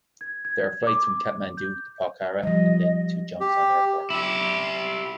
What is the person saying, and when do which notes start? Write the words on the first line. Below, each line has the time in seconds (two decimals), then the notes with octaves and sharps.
There are flights from Kathmandu to Pokhara and then to Jomsom Airport.
0.21 G#6
0.45 G#6
0.87 D6
1.57 G6
2.43 F3 G3 D#5
3.40 G4
4.10 E4 G4